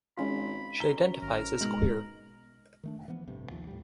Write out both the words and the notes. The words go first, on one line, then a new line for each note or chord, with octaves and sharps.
She identifies as queer.
G#1 G#3 C#4 F4 B5
F#2 A#5 G7
G#1 A#4
G#2 B2 G#3 F#7
D#3 A3 D4
F1
E3 F3 B3
A1 G2 C3
D#2 F3
A2 G3